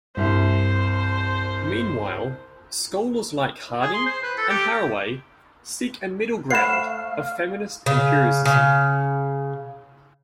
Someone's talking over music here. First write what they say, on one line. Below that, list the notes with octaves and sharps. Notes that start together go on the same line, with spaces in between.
Meanwhile, scholars like Harding and Haraway seek a middle ground of feminist empiricism.
C2 G2 C3 C5 E5
G#4
C6
C5
B4
A4
G4
A3 C5 F5 F#5 B5 C7 E7
C#3
C#3